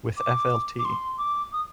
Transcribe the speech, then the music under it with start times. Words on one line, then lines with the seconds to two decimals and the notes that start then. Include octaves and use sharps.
With Flt.
0.17 D6
0.79 D6
0.85 C6
1.18 D6
1.53 D#6